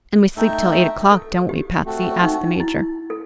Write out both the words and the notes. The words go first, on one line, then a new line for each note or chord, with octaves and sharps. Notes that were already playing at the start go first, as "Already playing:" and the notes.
"And we sleep 'till eight o'clock, don't we, Patsy?" asked the Major.
A3 D#4 A4 E5 G5
A4
G4
A3 C4 F#4 A4
D#4
E4
A4